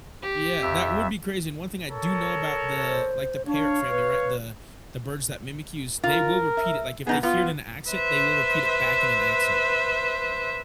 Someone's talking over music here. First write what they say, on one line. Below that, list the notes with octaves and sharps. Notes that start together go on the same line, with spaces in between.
Yeah, that would be crazy, and one thing I do know about the, like, the parrot family, right, the the birds that mimic you, is they will repeat it, like, if they hear it in an accent, they will repeat it back in an accent.
G4
F2 E5
A4 A#4 C#5
C5
D4 C#5 F5
B4
F4 A#4
E5
B2 B3 D#4 G#4
B3 F4
B4 C5 E5